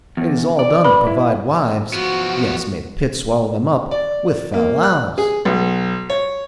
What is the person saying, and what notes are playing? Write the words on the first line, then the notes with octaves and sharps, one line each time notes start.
It is all done to provide wives--yes, may the pit swallow them up!--with fal-lals.
E2
D5
B4 B5
E4
F3 B3 F#4
D5
A#3
F#6
G#4
B1
C#5